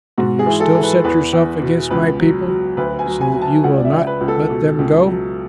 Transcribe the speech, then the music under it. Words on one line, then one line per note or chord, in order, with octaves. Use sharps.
Do you still set yourself against my people, so that you will not let them go?
G#2 F#4
G#4
E3
A4
E3
B4
E2 B4
E2
B2
C#2 B4
F#3
F#3
D2 B4
G#5
F#3
G#5
F#3
A5
C#2 F#5
D5
E5
C#2
B4
C#2
A4
B2
C#2
F#3